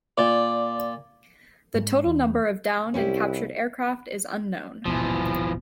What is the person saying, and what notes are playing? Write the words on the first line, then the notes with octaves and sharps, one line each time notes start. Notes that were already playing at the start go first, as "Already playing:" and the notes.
The total number of downed and captured aircraft is unknown.
A#2 D5
G#2
E2
C2 C#4 E4 G4
D#1 G#1 B2 E3 F3